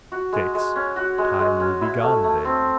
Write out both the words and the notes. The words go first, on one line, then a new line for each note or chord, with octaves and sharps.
Six. Time will be gone then.
F#4
G#3
G#3
C#4
F#4
G#3
G#3
C#4
E4
A3
A3
C4